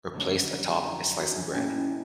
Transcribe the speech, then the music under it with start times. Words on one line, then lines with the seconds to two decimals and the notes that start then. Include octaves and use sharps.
or placed atop a slice of bread."
0.14 F2 D3 F#3 A3 C#4 D#4
0.85 E4
1.19 F#4
1.32 D#4
1.37 D4
1.51 C#4
1.55 A2 E3 G3 A#3 D4 D#4
1.72 C#4